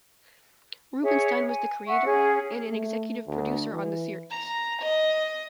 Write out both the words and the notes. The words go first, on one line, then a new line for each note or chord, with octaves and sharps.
Rubenstein was the Creator and an Executive Producer on the series.
G#4 C#5 E5
G#5
E5 F#5 C#6
C#4 G#4
A3
D2
E3
A#5
D#5